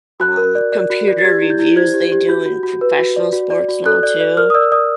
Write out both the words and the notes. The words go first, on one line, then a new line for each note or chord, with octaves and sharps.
um, computer reviews they do in professional sports now, too,
F#4 F#6
A#4
D5
D5
F#4
D5
A6
G4 G#6
E4
G6
E4
C5 G#6
G4
G4
F#4 G6
F#4
F#4
B4
F#4
D5
F#4
D5
F#4
A4 F#6
D5
D5
A#4 F6
D#6
D5 E6
D5 D#6